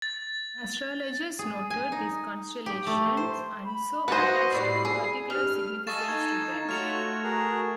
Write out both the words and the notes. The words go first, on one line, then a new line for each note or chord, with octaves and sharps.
Astrologers noted these constellations and so attached a particular significance to them.
A6
G#4
G#5
D#4
G4
A3
C5
B5
F#4 B4 C5 D#5 F#5
A2 G3 C7
G#4
G2 F6
A4 D#5 F5 G#5 C#6 A6 E7
D#4 G#6
A3 F4 F#4 C#5 C#6 F6 F7
G#4 A#4